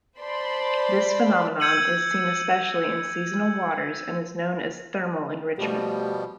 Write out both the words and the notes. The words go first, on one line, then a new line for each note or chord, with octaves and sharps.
This phenomenon is seen especially in seasonal waters and is known as thermal enrichment.
C5 D5 A5 B5 C6
E6 G6 G#6 C#7 D#7 F#7
B2 F3 G3 A3 G4